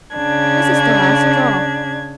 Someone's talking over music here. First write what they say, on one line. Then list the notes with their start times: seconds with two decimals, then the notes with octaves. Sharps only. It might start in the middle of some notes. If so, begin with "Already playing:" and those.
This is the last straw.
0.15 C#3 D4 G#6